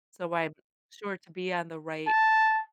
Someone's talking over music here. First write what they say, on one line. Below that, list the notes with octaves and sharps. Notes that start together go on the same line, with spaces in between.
So, I'm sure to be on the right
A5